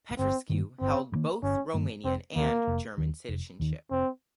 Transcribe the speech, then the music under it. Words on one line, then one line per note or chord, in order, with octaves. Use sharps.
Petrescu held both Romanian and German citizenship.
G1 C4
G2 D#3 A#3
G1 C4
G2 D#3 A#3
G1 C#4
G2 D#3 A#3
F1 C4
D#2 D#3 A#3
F1
D#2 D#3
F1
D#2 D#3
F1 C4